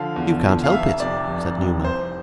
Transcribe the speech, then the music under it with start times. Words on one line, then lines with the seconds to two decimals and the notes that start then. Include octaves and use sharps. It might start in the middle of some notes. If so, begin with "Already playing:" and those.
'You can't help it,' said Newman.
Already playing: D3 F3 F5
0.16 E2
0.44 D3 F3
0.64 F5
0.72 F1 E5
1.00 F2 C3 D5
1.28 F1
1.56 F2 C3
1.84 C2 C5